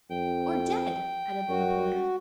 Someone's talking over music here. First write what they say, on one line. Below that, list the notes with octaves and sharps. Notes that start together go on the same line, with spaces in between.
"Or dead!" added the reporter.
F2 G5
F#2 F#4